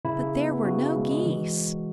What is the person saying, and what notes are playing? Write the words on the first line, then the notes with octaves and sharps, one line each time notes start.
But there were no geese!
C#3 E4
C#3
B3
B3
C#3 F#4
C#3
G#3
G#3
E3